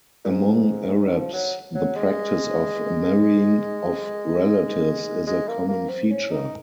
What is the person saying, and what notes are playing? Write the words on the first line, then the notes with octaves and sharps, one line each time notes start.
Among Arabs the practice of marrying of relatives is a common feature.
A#2
G#2
D#3
F3
F#3
F#3
G#3
G#3
A#3
A#3
C4
C#4
D#4